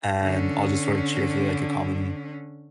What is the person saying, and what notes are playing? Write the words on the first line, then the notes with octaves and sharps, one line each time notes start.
and I'll just sort of cheer for like a common
D3 C#4